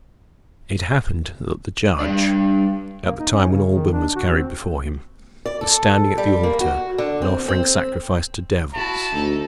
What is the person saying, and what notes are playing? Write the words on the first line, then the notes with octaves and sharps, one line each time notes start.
It happened that the judge, at the time when Alban was carried before him, was standing at the altar, and offering sacrifice to devils.
G3 D4 D5
A#3
D#4
C#4
C#3
D#3
D4
F#4
C4
D5
A4
G3
A#3
F#4
D3
C4
C4
E4 F#4 A5
D2 D#4 A4